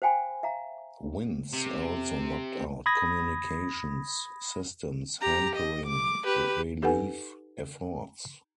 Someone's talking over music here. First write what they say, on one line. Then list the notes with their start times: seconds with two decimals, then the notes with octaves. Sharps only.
Winds also knocked out communications systems, hampering relief efforts.
0.02 C5 F5 G5 G#5 B5
0.43 E5 F5 A#5
1.53 C3
2.86 B5 D#6 G#6 A#6
5.21 G4 A#5
5.56 D#5
5.86 D6
6.25 G4 B4
6.82 D#4 G4 A4 B4 F#5 G#5